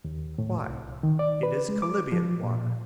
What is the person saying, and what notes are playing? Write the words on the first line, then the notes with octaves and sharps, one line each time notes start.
"Why, it is chalybeate water!"
D#2
A2
C2
D#3
D5
B4
G#3
D6
F3
A#2